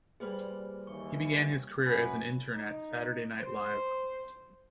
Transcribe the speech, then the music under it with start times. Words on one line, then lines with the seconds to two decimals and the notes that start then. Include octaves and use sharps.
He began his career as an intern at "Saturday Night Live".
0.20 A#2 G3 A#3 G#4 B4 C5
0.87 D#2 E3 C#6
1.86 F#2 B4 G#5
2.55 D#4
3.40 C5